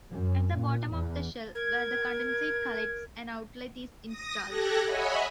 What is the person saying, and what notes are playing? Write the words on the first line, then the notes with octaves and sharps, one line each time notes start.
At the bottom of the shell, where the condensate collects, an outlet is installed.
F#2
A#2
E2
A#4 G#6
D#6 A#6
G4 A4 F#6 G#6 A#6
C#5 D#5 E5 F#5 G#5 B5